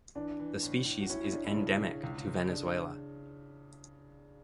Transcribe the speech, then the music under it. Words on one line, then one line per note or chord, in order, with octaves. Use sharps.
The species is endemic to Venezuela.
E3 D4
E3
A2
A2
F#4
C#4 E4
E4
A2 D4
E4
C#3 D4
C#3
C#2
C#2
C#3 D4